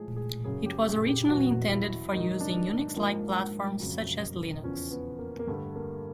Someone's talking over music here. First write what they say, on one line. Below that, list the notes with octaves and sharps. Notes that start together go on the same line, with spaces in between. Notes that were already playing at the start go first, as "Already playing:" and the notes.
It was originally intended for use in Unix-like platforms such as Linux.
Already playing: A2 F3 G#3 G#4
G#4
F#2 C#3 F#3 G#4
G4
G#4
G4
E2 B2 F#3 F#4
E4
G#2 D#3 F#3 D#4
D4
G#2 F3 G#3 A#3
F2 C#3 F#3
E2 C#3 F3 C#4
B3
A#3
A#3
G2 D3 G3 A3
A#3